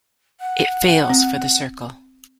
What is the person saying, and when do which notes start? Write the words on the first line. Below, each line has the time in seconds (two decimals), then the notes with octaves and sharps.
It fails for the circle.
0.40 F#5
1.10 C4